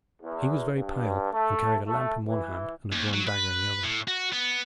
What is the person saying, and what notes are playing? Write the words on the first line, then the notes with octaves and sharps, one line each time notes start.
He was very pale, and carried a lamp in one hand and a drawn dagger in the other.
E2
G2
A3
A3
E3
D#2
F#3
B4
A2
F#4
B3